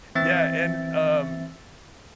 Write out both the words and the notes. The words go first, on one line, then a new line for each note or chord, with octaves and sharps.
yeah, and, um
E3 C4 E5 E6 A6